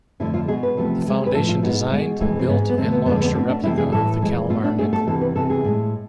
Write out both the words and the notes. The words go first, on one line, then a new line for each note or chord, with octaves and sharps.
The foundation designed, built, and launched a replica of the "Kalmar Nyckel".
F2 D3 A3 E4
F4
B2 G#3 G#4
B4
E2 C3 F3 A3
E2 C3 G#3
B4
A2 F3 A3 A4
F4
G#2 G#3 B3
B2 G#3
F2 E3 G#3 A3
C4
G#2 G#3 B3
B3
E2 D3 A3 C4
B3
F2 D3 G#3 B3
B3
B2 A3 C4
D4
F2 C3 E3 A3 E4
G#4
A2 E3 A3 A4
F2 E3 G#3
B2 A3 F4
D4
B2 A3 G#4
A4
E2 C3 E3 A4
B4
E2 C3 E3 A4
G#4
A2 G#3